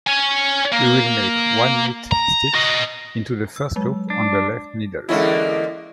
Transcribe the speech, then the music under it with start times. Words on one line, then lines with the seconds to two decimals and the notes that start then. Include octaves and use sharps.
We will make one knit stitch into the first loop on the left needle.
0.07 C#5 G#5
0.73 A#3
2.11 A#5
2.54 F#4 D#5
3.56 E6
3.76 F#3 G#3
4.10 D4
5.09 E2 D3 G#3 A#3 C#4 E4 D#5